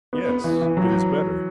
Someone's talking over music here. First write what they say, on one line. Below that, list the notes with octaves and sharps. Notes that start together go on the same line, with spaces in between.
"Yes, it is better."
B3
B3
E3
E3
F#3